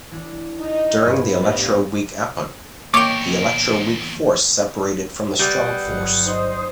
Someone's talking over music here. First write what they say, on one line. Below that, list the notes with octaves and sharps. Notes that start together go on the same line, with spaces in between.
During the electroweak epoch, the electroweak force separated from the strong force.
E3 D4
D#4
G2 B3 G#5
A1 D2 G2 G3
E2 A#3 A#4 C#5 G5 D6
G3 G#4 B4 F#5
G1 F#3
D#4 C5 D#6